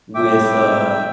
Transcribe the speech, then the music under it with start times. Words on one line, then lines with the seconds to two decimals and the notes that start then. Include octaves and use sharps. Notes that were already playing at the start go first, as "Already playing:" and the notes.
with, uh,
0.15 C2 F2 A2 E5 G5 D6